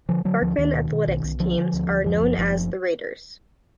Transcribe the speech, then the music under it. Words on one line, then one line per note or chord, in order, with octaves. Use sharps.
Sparkman athletics teams are known as the Raiders.
D3 F3
D3 F#3
D2 F3
D2 D#3
B2
B2
B1
B1
D3 F3
D3
D2
D2
F#2 F3
F#1
F#1 F3